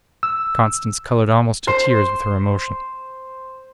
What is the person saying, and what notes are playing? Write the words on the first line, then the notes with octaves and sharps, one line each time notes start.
Constance coloured almost to tears with her emotion.
E6
C5 C6